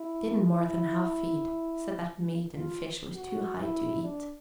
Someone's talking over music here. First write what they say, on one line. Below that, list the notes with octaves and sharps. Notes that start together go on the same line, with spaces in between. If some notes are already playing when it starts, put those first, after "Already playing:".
Didn't more than half feed, said that meat and fish was too high to eat.
Already playing: E4
E4
F4
F#4
E4
D4